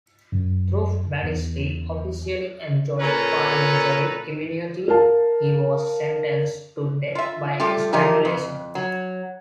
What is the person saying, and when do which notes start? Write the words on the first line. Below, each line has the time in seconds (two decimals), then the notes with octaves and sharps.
Though Battisti officially enjoyed parliamentary immunity, he was sentenced to death by strangulation.
0.32 F#2
1.23 E2
3.00 A#2 C#4 A4 B4 A#5
4.88 A#4 F5 A5
7.15 F4 E5
7.60 G3 A3 F4 G4
7.93 E3 F3 D#4 G4 A#4
8.25 F2
8.75 F#3